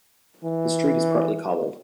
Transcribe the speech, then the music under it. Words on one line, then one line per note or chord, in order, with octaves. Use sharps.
The street is partly cobbled.
E3